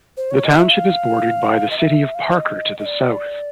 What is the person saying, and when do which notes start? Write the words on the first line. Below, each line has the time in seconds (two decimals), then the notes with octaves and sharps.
The township is bordered by the city of Parker to the south.
0.17 C5
0.31 C#5
0.44 D#5
0.58 E5
0.71 F5
1.71 D#5
1.78 E5
2.15 F5
2.24 E5
2.32 D#5
2.79 D#5
2.86 D5